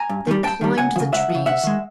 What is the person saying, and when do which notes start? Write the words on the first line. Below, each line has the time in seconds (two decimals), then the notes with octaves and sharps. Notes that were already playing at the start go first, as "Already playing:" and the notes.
They climbed the trees.
Already playing: G#5 A#5
0.09 G2
0.27 D#3 G3
0.43 G2 G5 A5
0.61 D#3 G3
0.78 C#2 F#5 G#5
0.96 F3
1.00 C#3
1.12 C#2 E5 F#5
1.29 F3
1.35 C#3
1.46 C3 E5 F#5
1.63 D#3 G#3